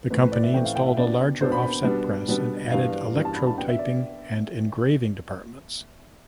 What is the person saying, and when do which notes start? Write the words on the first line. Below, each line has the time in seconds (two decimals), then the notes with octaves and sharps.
The company installed a larger offset press and added electrotyping and engraving departments.
0.10 A2 E3 A3 C4 B4
0.21 B4
0.32 D5
0.43 E5
0.54 A2 E3 A3 C4 G5
0.65 F5
0.76 G5
0.86 E5
0.97 B2 B3 D4 D5
1.41 B2 B3 D4 C5
1.52 B5
1.62 B5
1.84 B2 G3 B3 D4
2.28 B2 G3 B3 D4
2.71 G2 E3 B3 D4 F5
3.14 G2 E3 B3 D4
3.25 A5
3.35 B5
3.47 A5
3.57 B2 B3 D4 G5
3.68 E5
3.79 D5